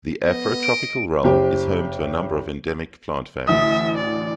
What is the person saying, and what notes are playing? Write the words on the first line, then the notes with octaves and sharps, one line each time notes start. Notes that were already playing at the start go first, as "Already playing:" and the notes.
The Afrotropical realm is home to a number of endemic plant families.
B3 D#5
D7
F#1 G4 C5
A1 D2 E5 D#6
D5